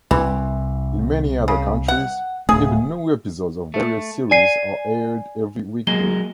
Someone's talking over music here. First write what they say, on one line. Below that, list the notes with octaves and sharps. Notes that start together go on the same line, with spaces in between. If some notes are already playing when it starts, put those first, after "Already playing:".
In many other countries, even new episodes of various series are aired every weekday.
C2 E3
C#3
F#5
D1 A3 G#4
A3
D5 G#5 C7 D#7
F#3 G#3 A#3 G7